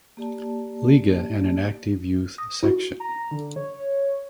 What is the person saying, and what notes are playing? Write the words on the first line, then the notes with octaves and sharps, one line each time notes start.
Liga and an active youth section.
A#3 G4 D5 A5
D#6 A#6
E4 F#4
A#5
D3
C#5